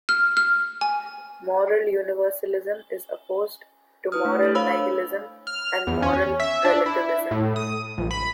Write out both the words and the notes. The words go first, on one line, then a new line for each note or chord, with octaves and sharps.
Moral universalism is opposed to moral nihilism and moral relativism.
F6
F6
G#5
E4 B4 D#6 F6
A3 D4
D4 A4 C#5
C5 C#5 F5 B5 E6
F6
E2
C#4
E5
D4
E4
A2
D#6
A#1
B5